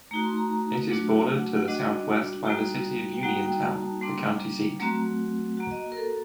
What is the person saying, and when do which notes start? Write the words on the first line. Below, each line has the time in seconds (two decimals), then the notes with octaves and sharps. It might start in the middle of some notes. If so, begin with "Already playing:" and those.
It is bordered to the southwest by the city of Uniontown, the county seat.
0.11 A3 A#5
0.14 D#4 F#4
0.24 C6
0.37 A#5
0.50 A#5
0.90 F#3 A3 D4 F#4
1.28 A5
1.38 F#5
1.57 F#5
1.68 G3 D4 F#4 D#5
2.45 G3 A#3 D#4 F#4
3.13 G5
3.23 G3 A#3 D#4 F#4 F#5
3.43 G5
3.62 A5
3.82 A5
4.01 G3 A#3 D4 C6
4.80 F#3 A3 C4 F#4 A#5
5.57 A#3 F#4 F#5
5.71 D#5
5.92 A#4
5.97 A4